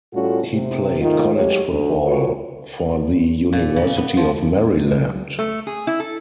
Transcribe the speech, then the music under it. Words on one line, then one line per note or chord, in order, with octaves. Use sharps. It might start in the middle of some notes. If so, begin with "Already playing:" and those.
He played college football for the University of Maryland.
A2 G3 C#4 F4 F#4 A4
C3
G#2 D#3 A3 F4
F#3 G#3 A3 G4 C#5
D2
E2 F4 F#4 A4 C#5
A#2
C#3
B3
F3
A3
G#4
E4
A4